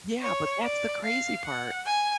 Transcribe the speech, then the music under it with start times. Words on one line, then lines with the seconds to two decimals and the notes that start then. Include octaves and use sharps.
Yeah, but that's the crazy part,
0.21 C#5
0.63 D5
1.04 F5
1.45 F#5
1.86 G#5